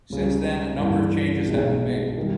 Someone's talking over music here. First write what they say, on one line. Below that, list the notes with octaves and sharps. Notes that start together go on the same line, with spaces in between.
Since then, a number of changes have been made.
C#2 C#3 G3
G2 E3 A#3
B1 B2 G#3 D#4
D#3 G3